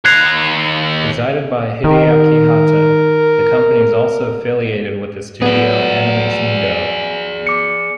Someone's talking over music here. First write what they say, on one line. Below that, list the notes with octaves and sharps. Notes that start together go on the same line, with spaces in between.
Presided by Hideaki Hatta, the company is also affiliated with the studio Animation Do.
D#2 A#5 F#6 G#6 C7
D#3 A#4
F#3 B3 G#4 D5
D6 C#7